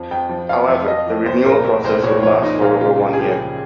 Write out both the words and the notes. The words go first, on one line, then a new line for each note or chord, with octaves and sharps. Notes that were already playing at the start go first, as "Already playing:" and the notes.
However, the renewal process would last for over one year.
Already playing: F2 F3
F2 G5
F3
F2 F5
F2
F2 D#5
F3
C2 C5
A#2 A#4
A#2
C2 C5
A#2 C#5
F3 C#5
A#2 D#4
A#2 F4
C#3 F4
C#2
G#4
F3 G4
C#3